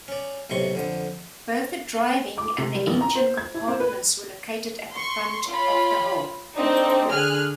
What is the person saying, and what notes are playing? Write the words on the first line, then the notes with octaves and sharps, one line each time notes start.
Both the driving and engine compartments were located at the front of the hull.
C#4 D5
B1 A2 C3 C6 C#6
F2 D3
D6
C3
G3
A1
A#5
C5
G#6
E4
C4
B4
C6 C#6
F4 C#5 B5
A3 C4 D4 D#4
D3 G#4 G#5 F6 F#6